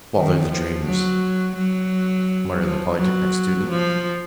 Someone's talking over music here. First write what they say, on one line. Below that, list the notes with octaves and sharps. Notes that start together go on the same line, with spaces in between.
"Bother the dreams!" muttered the Polytechnic student.
D#3
F3
F#3
F#3
F3
F#3
F3